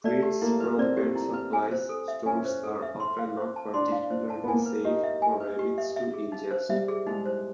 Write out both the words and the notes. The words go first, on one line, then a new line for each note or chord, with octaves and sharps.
Treats from pet supplies stores are often not particularly safe for rabbits to ingest.
A3 D5
G4
A#3 E4
B4
C4 D5
G4
E4
B4
G#5
C5
A4
E5
C#4 G#5
C5
A4
E5
C6
F5
C5
A5
D4 C6
F5
C5
A5
B3
A#3 G#5
B4
D#4 G4
E5
G#5
B4
G4
E5
E5
G#4
D#4
C5
G3 E5
G#4
G#3 D#4
C5